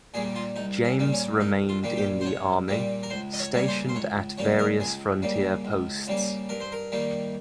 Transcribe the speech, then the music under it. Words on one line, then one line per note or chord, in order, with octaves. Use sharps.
James remained in the army, stationed at various frontier posts.
A#2 G3 A#3 G#4
F4
C2 D#4
C#4
A#2 G3 A#3
C#4
C2 D#4
F4
A#2 G3 A#3
G4
C5
C2 C#5
A#2 G3 A#3
A#4
C#2 C5
D#5
C#5
C#3 G3 A#3 C#5
C5
C5
C#2 C#5
C#3 G3 A#3 C#5
A#4
C#2 G#4
C#3 G3 A#3
C#2
C#3 G3 A#3
G2 A#4
C5
A#4
D#3 G3 A#3